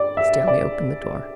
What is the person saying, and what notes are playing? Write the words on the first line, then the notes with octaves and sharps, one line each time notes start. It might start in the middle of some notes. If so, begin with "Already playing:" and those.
Stanley opened the door.
Already playing: D5
E5
D5